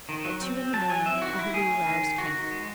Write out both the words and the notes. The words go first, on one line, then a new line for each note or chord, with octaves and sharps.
At two in the morning a halloo roused camp.
D#3
F#3
C4
C4
F#3 A5
F#3 G#5
C4 E5
E4
D#3 F#4
D#3 E4
A3 G#4
C#4
D#3
D#3
D#3 F#4
D#3
G#3